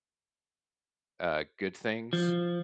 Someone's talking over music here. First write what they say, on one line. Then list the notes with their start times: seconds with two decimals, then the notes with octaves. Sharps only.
uh, good things.
2.13 F3